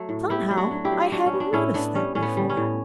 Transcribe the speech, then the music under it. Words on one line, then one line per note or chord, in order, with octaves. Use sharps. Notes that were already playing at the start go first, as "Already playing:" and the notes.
Somehow I hadn't noticed that before.
Already playing: F#3 A3
A2
B3 E4 G4
F#3
D4 F#4
F#3
E4 G4
F#3
F#3 D4 F#4
C#4
B3
D4
A2 C#4 E4
A2 B3 D4
G3 C#4
A2 C#4
B3
G3
C#4
A2